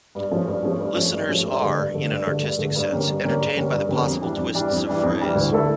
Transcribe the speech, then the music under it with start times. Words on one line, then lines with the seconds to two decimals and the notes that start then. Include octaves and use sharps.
Listeners are, in an artistic sense, entertained by the possible twists of phrase.
0.15 G2
0.31 F3 A3 C#4
0.47 G2
0.63 F3 A3 C#4
0.80 G2
0.96 F3 A3 C#4
1.12 G2
1.29 F3 A3 C#4
1.46 G2
1.61 D3 A3
1.77 G2
1.95 D3 A3
2.10 G2
2.27 D3 A3
2.43 G2
2.59 D3 A3
2.75 G2
2.92 D3 G3 A#3 C#4
3.07 G2
3.24 D3 G3 A#3 C#4
3.40 G2
3.57 D3 G3 A#3 C#4
3.73 G2
3.89 D3 G3 A#3 C#4
4.06 F2
4.22 E3 G3 D4
4.38 F2
4.54 E3 G3 D4
4.71 F2
4.87 E3 G3 D4
5.03 F2
5.19 E3 G3 D4
5.35 D2
5.52 D3 A3 E4 A4